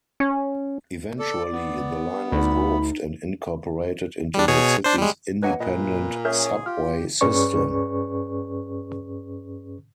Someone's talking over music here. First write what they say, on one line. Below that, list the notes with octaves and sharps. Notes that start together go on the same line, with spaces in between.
Eventually, the line was moved and incorporated into the city's Independent Subway System.
C#4
A4 D5
B3
D2 D#4 B5
G3 D4
B2 G#4 C#5
D4 C5
G3 G#3
F#3 A#3 B4 D#5 F#5 G#5
A#2 B4 D#5
C#4 G#4 A#4 E5 G6
F4 G4 F6
G2 C#4 G#4 B4 D5 C#6